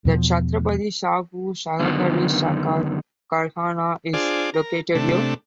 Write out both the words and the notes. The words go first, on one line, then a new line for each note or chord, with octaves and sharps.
The Chatrapati Shahu Sahakari Sakar Karkhana is located here.
E2 B2 F3
F#2 D3 D#3 B3
D4 F4 G#4 C5 D5
A#4
C3 A3 D4